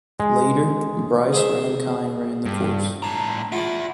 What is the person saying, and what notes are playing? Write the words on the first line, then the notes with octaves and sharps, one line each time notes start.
Later, Bryce Rankine ran the course.
G#3
G#4 C5 E5
G2
A2 D4 A#5
E4 F4 D5 F#5